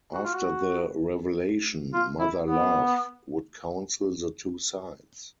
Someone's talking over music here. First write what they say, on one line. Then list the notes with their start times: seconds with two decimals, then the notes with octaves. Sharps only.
After the revelation, Mother Love would counsel the two sides.
0.13 F#4
0.24 F4
0.34 F#4
1.93 F4
2.20 E4
2.46 B3